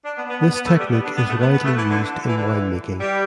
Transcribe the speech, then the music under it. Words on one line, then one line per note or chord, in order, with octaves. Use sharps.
This technique is widely used in wine making.
D4
B3
B3
B3
B3
A3
G3
B3
D4
B3
A3
B3
B3
A3
E3
D3
E3
D3
E3
G3